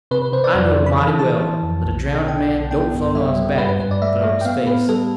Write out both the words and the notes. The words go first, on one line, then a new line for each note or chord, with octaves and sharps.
I knowed mighty well that a drownded man don't float on his back, but on his face.
C3 B4
B4
C3 C5
D5
F2
C3
B5
E3 A5
E3 A5
E3
F2
B1
B2
D4 G5
B1
B3 G5
G2
G3 E5
G3
G2 B4
B4
G2 B4
D5
A3 E5
A3
G5
B3 F5
A2 B4
G3 A4